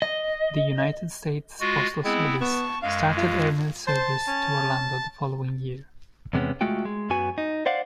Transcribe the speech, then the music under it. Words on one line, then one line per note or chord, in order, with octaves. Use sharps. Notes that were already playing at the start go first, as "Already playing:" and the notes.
The United States Postal Service started airmail service to Orlando the following year.
D#5
G#3 F4 F#4
G#3 B3 C4 E4
B3 A5 C#6
F#2 G#3 F5
F4
C5 A5
C#4
E2 C3 G#3 B3 C#4
G#3 A3 F4 F#4 G5
G#3
F#2 F#3 B3 F#4 G#5
D#4
C5 D5 F5 F#5